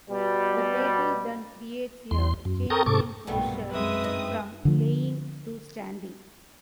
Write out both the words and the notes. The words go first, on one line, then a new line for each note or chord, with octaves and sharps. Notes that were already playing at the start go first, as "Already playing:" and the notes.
The table then creates a change in posture from lying to standing.
B2 G3
E2 C6
F#2
A4 A#4 G5 A#5 C#6 D#6
G#2 C3 A4 C#6 D6
B1 G2 A#2 G3 A3 B3
F#2 G#3 C4 B4 E5 D#6
G2 D#4 D#5
D3 F3